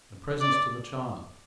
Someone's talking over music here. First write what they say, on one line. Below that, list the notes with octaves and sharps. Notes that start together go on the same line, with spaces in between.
The presents to the child!
D5